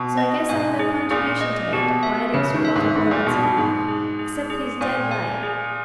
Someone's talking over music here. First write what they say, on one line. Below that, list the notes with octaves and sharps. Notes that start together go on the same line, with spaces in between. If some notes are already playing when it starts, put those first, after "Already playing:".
So I guess I've no contribution to make to quieting Sir Walter Bullivant's mind, except that he's dead right.
Already playing: B2
D#5
G#2 G#5
G#4
A#2 G#4
D#5
B2 G4
E5
C#3 B4
D#3
E5
G#2
G#2 E4
G#2
A#2
B2 G#4
B2
G#2 G#4
G#4
G#4
G#4
A#2 G#5
G#5
G#4